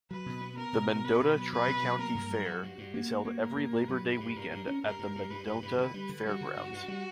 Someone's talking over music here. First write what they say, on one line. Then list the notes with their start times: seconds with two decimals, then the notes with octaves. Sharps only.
The Mendota Tri-County Fair is held every Labor Day weekend at the Mendota Fairgrounds.
0.11 F#3 B4
0.26 B2
0.41 B3
0.57 B3 A#4
0.73 B2
0.89 B3
1.04 B3 B4
1.20 B2
1.37 F#3
1.52 B2 B4
1.68 B2
1.83 F#3
1.99 A#3 A#4
2.15 G2
2.31 F#3
2.46 G2 F#4
2.63 G2
2.78 G2
2.94 A#3 F#4
3.10 G2
3.25 A#3
3.41 G2 A#4
3.57 A#3
3.73 G2
3.88 F#3 B4
4.04 G2
4.20 G2
4.36 G2 A#4
4.51 G2
4.67 C#4
4.84 G2 A#4
4.99 G2
5.16 G2
5.30 G2 B4
5.47 G2
5.62 G2
5.78 D3
5.94 G3
6.09 D3
6.26 G3 F#4
6.41 D3
6.57 G2
6.72 G2
6.88 G3